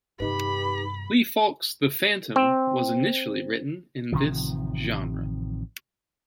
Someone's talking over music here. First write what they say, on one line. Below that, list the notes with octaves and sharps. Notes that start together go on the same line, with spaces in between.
Lee Falk's "The Phantom" was initially written in this genre.
G2 C3 D#4 G4 B4 B5
C4
A1 C3 D#3 F3